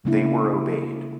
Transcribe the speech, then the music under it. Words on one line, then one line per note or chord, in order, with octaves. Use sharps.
They were obeyed.
C#3 G3 G#3 A#3 D4 E4